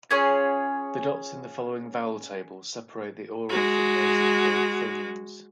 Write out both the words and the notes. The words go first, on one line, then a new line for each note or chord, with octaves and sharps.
The dots in the following vowel table separate the oral from nasal phonemes.
C#4 F4 G#4 C#5
G#3 F#4